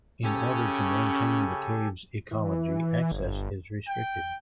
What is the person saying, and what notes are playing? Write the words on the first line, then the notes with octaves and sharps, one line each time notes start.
In order to maintain the cave's ecology, access is restricted.
C#3 C#4 G4 A4 G#5
E3
G1
G5